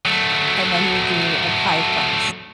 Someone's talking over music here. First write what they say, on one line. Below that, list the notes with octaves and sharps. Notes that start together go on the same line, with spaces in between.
and then you do a pie crust
F#3 A3